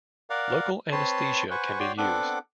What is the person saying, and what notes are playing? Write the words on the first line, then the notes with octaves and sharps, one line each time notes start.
Local anesthesia can be used.
A#4 D5 F5 F#5
C4 B4 C#5 A5 C6
B4 C5 F#5 G#5 C#6
F#4 C#5 D5 G5 C6
B3 C4 D4 A4 F#5 D6